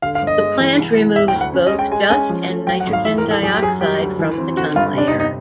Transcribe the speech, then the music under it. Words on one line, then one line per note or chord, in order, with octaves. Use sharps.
The plant removes both dust and nitrogen dioxide from the tunnel air.
D3 F5
F5
G1
D#5
G#3
E3
C2
C2
E1 E5
G5
D2
F#5
C#4
D#5
G#3
G5
G#3 G#5
C#4 G#5
F3
A3
F#3 G5
F#5
G#1
F5
E3 E5
A#4
A2
A4
F#2 G#4
G4
F#2 G#4
G3 G4
D2
E3
C4
D3 F#4
G2 F4
C3 D4
D#4
G1
D#4